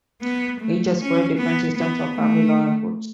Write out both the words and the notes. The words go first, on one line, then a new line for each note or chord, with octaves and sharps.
Each has quite different systems of family law and courts.
B3
A3
C#4
B3
B3
A3